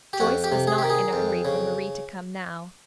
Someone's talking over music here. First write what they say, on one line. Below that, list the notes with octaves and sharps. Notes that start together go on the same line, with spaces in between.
Joyce was not in a hurry for Marie to come now.
G4
F2 F#4
G4
C3
G#4
D#3 G4
G#4
F2
C#3